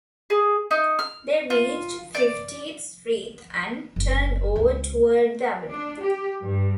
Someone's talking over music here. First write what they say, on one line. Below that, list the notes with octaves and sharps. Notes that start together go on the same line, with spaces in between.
They reached Fiftieth Street and turned over toward the Avenue.
G#4
D#4
F6
F4
D5
F#1
C#2
D4
G4
G2